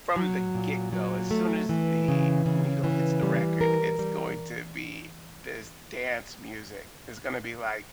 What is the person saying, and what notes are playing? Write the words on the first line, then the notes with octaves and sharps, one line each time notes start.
from the get go, as soon as the needle hits the record, it's going to be this dance music. It's gonna be like,
F#3
A#2
F#3
A3
E3
C#3
C#3
E3
G3
A#4
G3